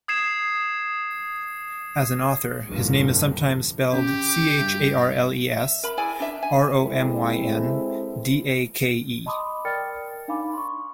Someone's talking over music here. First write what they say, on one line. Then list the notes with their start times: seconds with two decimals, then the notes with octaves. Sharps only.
As an author, his name is sometimes spelled Charles Romyn Dake.
0.08 D#6 G#6 C7 E7
2.67 F1 C2 G2 A#2 D3 G3
3.92 C#3 G4
4.59 G2
5.60 E5
5.83 A#4 B5
5.97 E4 G#4 D5 G#5
6.20 D4 E5
6.43 G#5
6.81 C3 G#3 C4 E4 A4 B4
9.26 D#5 A5 B5 C6 D6 D#6
9.65 A#4 D5 G5 F6 A6 C#7
10.28 D4 D#4 F5 G#5 B5 D6
10.53 C6 C#6